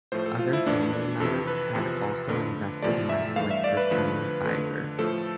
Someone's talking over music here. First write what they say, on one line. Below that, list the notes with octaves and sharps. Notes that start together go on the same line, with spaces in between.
Other family members had also invested money with the same advisor.
A2 F3 A3 C5
A4
F4
E4
F2 E3 A3 D4
D4
F2 C3 E3 A4
B4
E2 C3 F3
F2 D3 A3
E2 C3 F3 A3 D5
E5
G2 E3 A3 F5
E5
D5
B4
F2 D3 F3 A3
F2 D3 A3
A2 F3 A3 A4